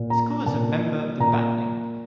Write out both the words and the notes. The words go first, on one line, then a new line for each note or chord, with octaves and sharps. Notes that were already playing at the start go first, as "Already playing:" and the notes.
The school is a member of the Battening.
Already playing: A#2
A#5
A#2 A5
A#2 A#5